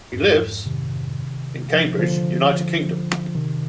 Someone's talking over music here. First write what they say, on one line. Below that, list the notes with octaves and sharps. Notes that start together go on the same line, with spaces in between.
He lives in Cambridge, United Kingdom.
F2 G#2
C3 D#3
F3
D3 F3
C3 D#3